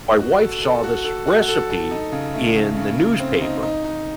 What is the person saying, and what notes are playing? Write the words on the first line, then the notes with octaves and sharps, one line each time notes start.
my wife saw this recipe in the newspaper.
F#4
A4
A4
F#4
A4
F#4
A4
A4
D#4
C#3
A3
C#3
C#3
C#3
C4
D#4
D#4
D#4